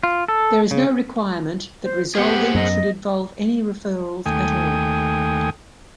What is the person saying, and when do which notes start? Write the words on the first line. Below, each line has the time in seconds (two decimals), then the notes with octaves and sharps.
There is no requirement that resolving should involve any referrals at all.
0.03 F4
0.28 A4
0.71 C#3
1.84 C5
2.15 B3 G4 G#4 C5 F#5
2.55 F#2 D#5
4.26 D#2 A3 G5 G#5 D#6